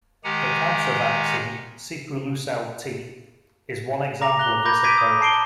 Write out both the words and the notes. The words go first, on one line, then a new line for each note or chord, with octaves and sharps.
The cancer vaccine Sipuleucel-T is one example of this approach.
D#3 G#3 G4 F#5 G#5 A#5
A#5 D6 A#6 F7
F#6 G7
B5 D6 G6 A#6
D6 G6 G#6 B6 D7 D#7
D#6
A5 C7 D7 G7